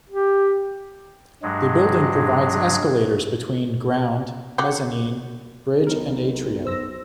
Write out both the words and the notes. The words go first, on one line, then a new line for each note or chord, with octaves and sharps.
The building provides escalators between Ground, Mezzanine, Bridge, and Atrium.
G4
G2 F#3 G#3
F#3 F#4 G4 C#7
B1 D#4 A#4
C5 E6 A#6